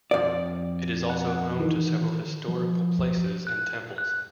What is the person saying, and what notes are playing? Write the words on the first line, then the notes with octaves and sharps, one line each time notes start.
It is also home to several historical places and temples.
F2 D5
F#5
D#3 E3
F3
F#6
F#6